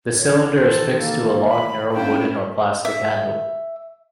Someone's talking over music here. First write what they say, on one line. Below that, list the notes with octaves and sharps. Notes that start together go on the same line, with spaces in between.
The cylinder is fixed to a long, narrow wooden or plastic handle.
D#3 E3 C#5
A4 C5
A#3
B5
A#3 C#4 D4 E4 G5
E5